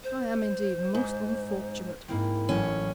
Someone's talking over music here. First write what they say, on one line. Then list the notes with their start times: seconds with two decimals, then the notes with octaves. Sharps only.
I am indeed most unfortunate.'
0.04 C5
0.95 G#2
2.08 G#2 A#3 C4 E4
2.49 A1 F#3 C#4